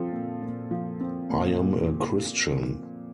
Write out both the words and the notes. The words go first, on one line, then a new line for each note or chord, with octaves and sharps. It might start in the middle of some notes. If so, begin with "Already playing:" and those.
I am a christian.
Already playing: F3 C4 F4 A4
A#2
A#2
F3
C4
A#2
A#2